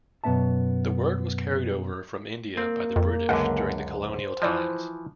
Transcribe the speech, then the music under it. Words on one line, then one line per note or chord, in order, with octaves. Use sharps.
The word was carried over from India by the British during the colonial times.
F#2 B2 B3 C4 E5 A5
A#3 C4
F2
C#2 F#2 D3 F5 F#5
C5
E3 F3 D5 G5